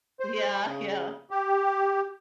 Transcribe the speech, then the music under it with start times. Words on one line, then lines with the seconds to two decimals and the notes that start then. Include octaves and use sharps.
Yeah. Yeah.
0.20 C5
0.66 C#3
1.31 G4